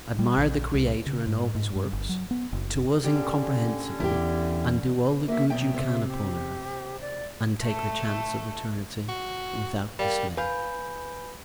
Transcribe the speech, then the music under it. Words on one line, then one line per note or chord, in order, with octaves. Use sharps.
Admire the Creator, and all his works, to us incomprehensible: and do all the good you can upon earth; and take the chance of eternity, without dismay.
G3
A#1
C2
C#3
G#2
G#2
G2
G1
F#3
B3
F#1
D3 C#4 G4
E2 E4 G4
A#3 F#4 E5
F#2 B2 E5 G5
C3 C4
G4
D5
A3 A4
F#4
G3 A#4 F5 G5
B4 F5 G#5 B5 G6